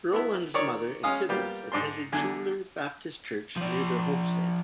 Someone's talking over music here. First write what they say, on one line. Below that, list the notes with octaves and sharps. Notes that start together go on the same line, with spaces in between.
Earl and his mother and siblings attended Schuyler Baptist Church near their homestead.
B3 E4
D#3 C#5 D5
G#3 C#4 F5 D#6
G3 A#3 B3 F4 G4
G#2 D4 C6
E2 D3 G#5
F3 D5